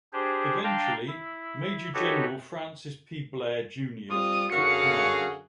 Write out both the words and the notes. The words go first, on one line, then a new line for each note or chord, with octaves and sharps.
Eventually Major General Francis P. Blair, Junior took command.
D4 G4 G#4 C5
D4 F5 G5 A5 A#5 C6
E4
D#4 F#4 G4 A4 B4 C#5
G3 C4 F4 D#6
F#2 D3 F#4 G#4 F5 C#7